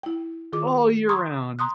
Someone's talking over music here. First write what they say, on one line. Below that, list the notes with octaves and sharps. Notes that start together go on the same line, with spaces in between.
All year round.
E4 G5
D#3 F4 G#4 D6
A#5 C6 C#6 D#6 G#6
A#5 C6 D#6 F#6